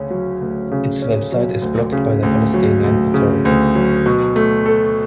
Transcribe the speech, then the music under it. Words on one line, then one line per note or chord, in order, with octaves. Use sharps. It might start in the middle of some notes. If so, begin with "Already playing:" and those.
Its website is blocked by the Palestinian Authority.
Already playing: D2 C#3 C#4
F#3
D2
C#3
C#4
F#3
D2
C#3
D2
F#3
D2
C#3
D2
F#3
B2
A3
A4